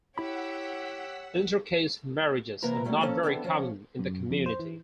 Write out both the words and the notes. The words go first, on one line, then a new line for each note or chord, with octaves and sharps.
Inter-caste marriages are not very common in the community.
E4 G4 C#5 F#5 B5 E6 B6
C3 E3 A#3 A#4 B4 A#5
D#2 F#3 G3 A3 A#3
F3 A#3 C#4 A4 C#5
E3 G#3 B3 C4 D4 A4
F3 C#4 C#5
F#2
F2
C5
E3